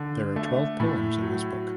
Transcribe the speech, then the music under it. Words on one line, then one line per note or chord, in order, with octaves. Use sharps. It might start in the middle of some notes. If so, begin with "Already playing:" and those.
There are twelve poems in this book.
Already playing: D3
A3
A2
F#3